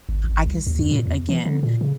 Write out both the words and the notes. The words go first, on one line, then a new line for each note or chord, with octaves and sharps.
I could see it again,
G1
G#1
C2
D#2
F#2
A#2
E2
E3
D3
A#2
C#3